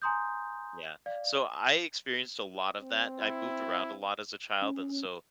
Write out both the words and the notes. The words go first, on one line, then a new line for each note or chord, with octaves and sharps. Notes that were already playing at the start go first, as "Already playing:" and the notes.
Yeah, so I experienced a lot of that. I moved around a lot as a child and so,
G#5 A#5 C6 D#6 G6
D5 F5
C4
E4
C#4